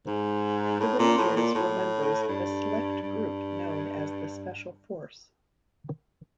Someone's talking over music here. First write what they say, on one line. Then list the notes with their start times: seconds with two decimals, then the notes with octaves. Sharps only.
The Rangers were members of a select group known as the Special Force.
0.07 G#2
0.80 A2
0.99 A#2
1.18 A2
1.36 A#2
1.55 A2
2.28 G2
3.02 G2